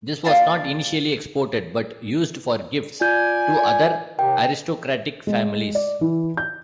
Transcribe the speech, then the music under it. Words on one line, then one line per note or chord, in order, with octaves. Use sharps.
This was not initially exported, but used for gifts to other aristocratic families.
A#3 F4 D5 F5 G5 A5
F4 D5 G#5 G6
D#2 C3 G5
G#3
D5
E3
G6